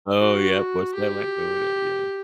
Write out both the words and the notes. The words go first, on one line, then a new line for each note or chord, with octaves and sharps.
Oh, yep, "What's that land over there?" Yeah.
F#4
G4